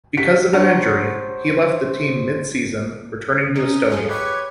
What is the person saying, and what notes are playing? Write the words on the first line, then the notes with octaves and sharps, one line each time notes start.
Because of an injury, he left the team mid-season, returning to Estonia.
D#4 F#4 G4 B6
D4 G4 C5 C#5 F#5 A#5
C#4 D#4
F4 G#4 A4 D#5
G4 B4 C#5 G#6 B6 C#7